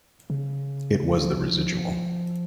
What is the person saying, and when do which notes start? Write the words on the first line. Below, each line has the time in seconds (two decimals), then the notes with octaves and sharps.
It was the residual.
0.30 C#3
1.24 F3